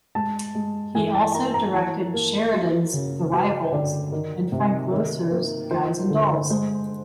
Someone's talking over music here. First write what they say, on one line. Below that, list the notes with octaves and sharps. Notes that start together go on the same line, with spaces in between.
He also directed Sheridan's "The Rivals" and Frank Loesser's "Guys and Dolls".
G#3 A5
G#3
E3 G#5
A5
A#3 A#5
A#5
E3 A5
A#3
F#3
C#3
F#3 G5
D3 D5
D#3
C3
D#3
A#3
F3 C5
D3
G#3 C5